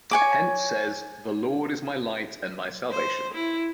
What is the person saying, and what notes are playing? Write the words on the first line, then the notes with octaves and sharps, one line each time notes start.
Hence says: The Lord is my light and my salvation.
C#5 G#5 D6
C5
E4